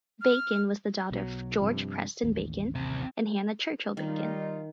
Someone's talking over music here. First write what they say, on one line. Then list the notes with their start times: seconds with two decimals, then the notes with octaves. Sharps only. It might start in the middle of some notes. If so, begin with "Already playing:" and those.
Bacon was the daughter of George Preston Bacon and Hannah Churchill Bacon.
0.22 F6
1.11 B1 B2 F#3
1.60 G2 C3 F3
2.23 A1 D#2
2.75 C2 C4
3.97 D#3 G3 D#4 F4